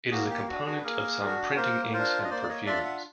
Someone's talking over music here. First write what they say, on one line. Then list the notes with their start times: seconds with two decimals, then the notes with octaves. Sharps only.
It is a component of some printing inks and perfumes.
0.11 A#3 F#4 G#4
0.30 G4
0.48 D4 F#4
0.65 F#4 G#4
0.77 B4
0.84 A#3 G#4 A#4
1.20 D4 F#4
1.56 A#3 A#4 C5
1.93 D4 F4 A#4 C5
2.24 D#5
2.29 A#3 C5 D5
2.43 D5
2.49 C#5 D#5
2.66 D4 F4 D5 E5
2.84 E5 F#5